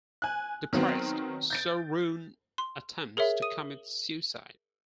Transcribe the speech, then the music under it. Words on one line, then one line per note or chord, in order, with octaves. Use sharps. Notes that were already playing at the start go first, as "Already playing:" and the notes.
Depressed, Soo-ryun attempts to commit suicide.
G#5 F#6
D#3 F#3 B3 C4
G6 A6 D7
C6
G#4 A#4 C#5 E5
D#6 D#7